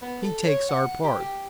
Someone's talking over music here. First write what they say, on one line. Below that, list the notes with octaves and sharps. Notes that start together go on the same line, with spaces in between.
He takes our part.
B3
A4
C#5
F#5
G4
G4